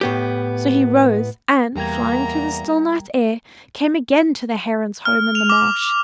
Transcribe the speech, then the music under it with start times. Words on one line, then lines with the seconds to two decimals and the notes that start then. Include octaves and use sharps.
So he rose, and, flying through the still night air, came again to the Heron's home in the marsh.
0.01 A2 B3 G4
1.75 E2 G3 A#3 G5 A#5 G#6
5.05 F6
5.35 F7
5.50 D6